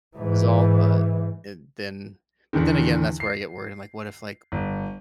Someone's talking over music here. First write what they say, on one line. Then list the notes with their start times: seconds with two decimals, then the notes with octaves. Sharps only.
is all, but it then, but then again, that's where I get worried. I'm like, what if, like
0.17 G#2 E3
2.53 E2 D3 D#3
3.20 C7
4.52 G1